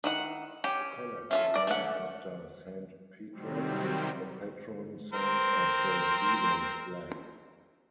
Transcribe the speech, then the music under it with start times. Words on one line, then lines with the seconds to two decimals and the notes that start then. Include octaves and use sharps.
The college is named after Saint Petroc, the patron saint of the Devon flag.
0.04 D#3 E4 F#5
0.64 C#4 G4
1.31 C#4 F4 A4 E5
1.54 A#4 D5
1.67 A3 C#4 F#5
3.32 C3 D#3 F#3 G3 C4
5.13 C4 A#4 C5